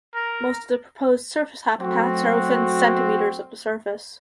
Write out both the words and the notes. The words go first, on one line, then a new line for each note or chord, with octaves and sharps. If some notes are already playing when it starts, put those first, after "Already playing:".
Most of the proposed surface habitats are within centimeters of the surface.
A#4
F#3 A3 C4 F#4